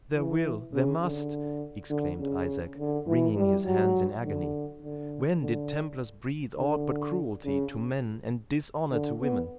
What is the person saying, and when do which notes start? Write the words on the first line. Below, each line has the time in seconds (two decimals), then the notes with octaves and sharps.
"There will, there must!" exclaimed Isaac, wringing his hands in agony; "when did Templars breathe aught but cruelty to men, and dishonour to women!"
0.15 E3
0.73 C#3
1.02 D3
1.90 D3
2.20 C#3
2.78 D3
3.07 E3
3.36 G3
3.65 F#3
4.24 D3
4.82 D3
5.41 D3
6.57 D3
7.45 C#3
8.92 D3
9.21 B3